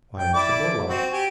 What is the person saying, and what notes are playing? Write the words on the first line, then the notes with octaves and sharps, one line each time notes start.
"Why is the door locked?"
G5
E4 D5 D6
C4 F#4
G4 G#5